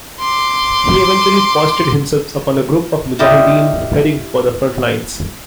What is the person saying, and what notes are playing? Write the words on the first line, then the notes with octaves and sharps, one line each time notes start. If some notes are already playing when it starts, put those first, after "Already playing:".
He eventually foisted himself upon a group of "mujahideen" heading for the front lines.
C6 D6
E4 F4 G4 D5 D#5